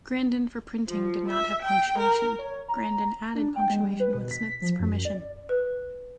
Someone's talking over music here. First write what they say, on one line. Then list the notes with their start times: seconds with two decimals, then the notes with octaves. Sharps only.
Grandin for printing did not have punctuation; Grandin added punctuation with Smith's permission.
0.87 F3
1.28 E5
1.62 G5
1.99 A#4
2.39 C#5
2.68 A#5
3.35 D4
3.56 G5
3.70 G#3
3.83 G3
4.00 B4
4.15 B2
4.31 B6
4.62 F3
4.79 F#2
5.05 D5
5.49 B4